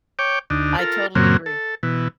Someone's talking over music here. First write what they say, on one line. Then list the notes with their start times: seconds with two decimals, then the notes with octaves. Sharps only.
I totally agree.
0.19 C#5 G5 D6
0.50 D2 D4 D#4
0.78 F4 A4 A#4
1.15 F#2 A#2 C#3 F#3 A#3 C4
1.46 A4
1.83 B2 E3